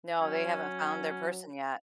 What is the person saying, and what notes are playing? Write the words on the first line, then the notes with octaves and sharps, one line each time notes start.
No, they haven't found their person yet.
F#3 C#4